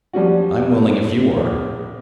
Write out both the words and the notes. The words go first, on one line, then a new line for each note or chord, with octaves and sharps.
"I'm willing if you are."
F3 G3 C#4 F#4
A#1